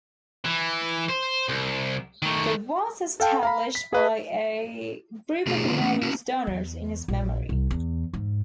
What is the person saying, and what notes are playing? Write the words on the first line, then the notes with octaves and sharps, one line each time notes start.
The was established by a group of anonymous donors in his memory.
E3
C5
C2
D#3 A3
A4 F5 G5 A5
F5 A#5 B5
B6
G#4 B4 D#5
B2 A3 F4 G4 G#4
D3 A3 C4 D4 F4 B4
A3 C#4
C#4 E4 F#4
E2
A#1
C2
E2
G#2